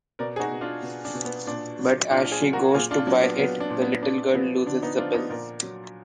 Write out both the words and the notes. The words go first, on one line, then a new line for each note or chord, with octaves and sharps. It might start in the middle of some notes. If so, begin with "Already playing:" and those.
But as she goes to buy it, the little girl looses the bill.
B2 A#4 D5
G#4
D#4 F#4
B2
D4 F4
B2
D4
B2
B3
A#2 D4
F#3
A#2 D4 F4
F4 G#4
F#3
F#4 A#4
A#2 F4 G#4
D4 F4
F#3 D4
B3
F#3 B3
D4
A#2
B3
B3 D4
F3 B3
D3 D4
B3 D#4
F3 D4 F4
B3 D#4
A#2 A#4 D5
F#3